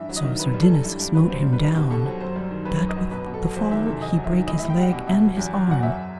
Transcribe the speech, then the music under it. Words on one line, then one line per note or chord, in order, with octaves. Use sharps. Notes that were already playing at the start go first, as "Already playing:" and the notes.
So sir Dinas smote him down, that with the fall he brake his leg and his arm.
Already playing: G2 E3 E5
F#3
D#5
D#3
F#2 B4
G3
A4
E3
G2 G4
G2
F#3 B4
G2 C5
G3
B4
D#3
B2 G4
B2 A4
F#3 C5
F#2 C5
G3
D#3
F#2 B4
F#2
D#5
F#3
B2 B4
B2
A4
F#3
E2 C5
D#3 E5
C3 A4
E2 D#5
F#3
E5
D#3
A2 D#5
A2 E5
G5
G3 F#5
B2
B2 E5
F#3
E2
F#3
B2 F#5
F#2 E5